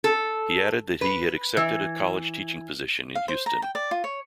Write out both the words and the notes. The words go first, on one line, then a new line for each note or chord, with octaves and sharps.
He added that he had accepted a college teaching position in Houston.
A4
B4
E3
F5
C5
A#5
G5
D5
F4
C#5